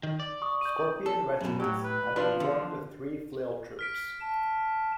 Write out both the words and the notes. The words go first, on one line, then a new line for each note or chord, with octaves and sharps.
Scorpion regiments had been formed of three flail troops.
D#3
D5
C#6 D#6
G6 D#7
A4
F#2 B2
A2 F#3 G4
B4
F3 D4 F4 B4
D3
F6 B6 D7
A5